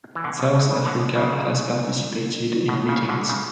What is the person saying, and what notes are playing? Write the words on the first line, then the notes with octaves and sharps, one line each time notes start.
South Africa has participated in meetings.
E3
B2 D3
B2
B2
C#3
B2 D3
C#3
B2
C#3
B2 D3
C#3